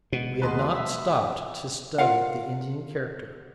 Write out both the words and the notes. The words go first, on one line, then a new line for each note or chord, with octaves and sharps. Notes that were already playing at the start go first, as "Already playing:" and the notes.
We had not stopped to study the Indian character.
B2 G#3
D#2 G#3 F#4 G#4 B4 D#5 A5 C6
E5
F4 A#4 F5 F#5